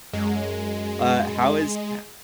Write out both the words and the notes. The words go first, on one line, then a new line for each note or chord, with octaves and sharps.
uh, how is ha
F#2 G#3